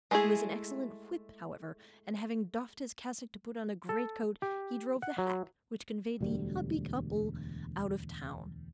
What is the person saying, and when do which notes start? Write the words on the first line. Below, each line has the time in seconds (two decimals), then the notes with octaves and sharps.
He was an excellent "whip," however; and having doffed his cassock to put on a great-coat, he drove the hack which conveyed the "happy couple" out of town.
0.11 G#3 A3 E4 F4 G#4
3.89 A4
4.42 G4
5.02 F#5
5.18 F#3
6.21 E1 D2 G3